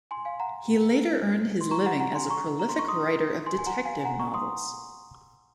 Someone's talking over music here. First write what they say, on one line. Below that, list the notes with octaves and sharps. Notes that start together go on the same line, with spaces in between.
He later earned his living as a prolific writer of detective novels.
G#5 C6
F5 G#5
F#5 A#5
C6
A#5 C#6
F#5 A#5
F#5 A#5
G#5 C6
A#5 C#6
A#5
C6
C#6
C6 D#6
G#5 C6
G#5
F#5 A#5
F5 G#5
G#5
F#5 A#5
A#5 C#6
C6 D#6